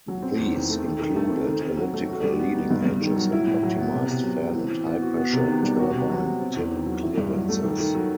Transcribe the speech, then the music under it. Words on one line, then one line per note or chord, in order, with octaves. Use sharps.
These included elliptical leading edges and optimised fan and high-pressure turbine tip clearances.
F#3
C4
E2
D#3
A3
D#3
D#3
A3
C4
D#3
D#3
F#3
A3
F#4
G3
B3
D#4
G2
G2
D#3
F#3
E4
A2
F#3
B3
C3
C3
F#3
C4
E3
E3
B3
F#4
B3
C3
D#3
G3
F#4
C3
F#3
B3
C4
E2
D#3
F#3
E4
G2
F#3
A3
D#3
D#3
F#3